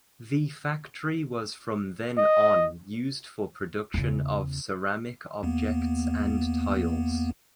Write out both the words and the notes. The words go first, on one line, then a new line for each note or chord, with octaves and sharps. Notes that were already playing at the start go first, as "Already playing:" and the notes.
The factory was from then on used for production of ceramic objects and tiles.
D#5
E2 C#3
E2 A#3 B3